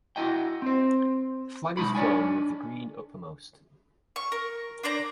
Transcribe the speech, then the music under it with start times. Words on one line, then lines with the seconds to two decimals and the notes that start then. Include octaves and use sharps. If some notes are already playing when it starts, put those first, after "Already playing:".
The flag is flown with the green uppermost.
0.16 E4 F#4 D#5 G5
0.62 C4 C5
1.77 B1 G#3 D#4 B5
1.95 D4 D#4 C#5 D5 G#5
4.16 C#6
4.32 A#4
4.83 D4 C5 D5 A#5